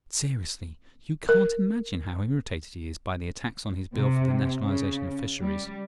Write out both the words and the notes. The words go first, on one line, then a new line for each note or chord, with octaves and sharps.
But seriously, you can't imagine how irritated he is by the attacks on his Bill for the Nationalisation of Fisheries.
A#4
C3
C#3
G3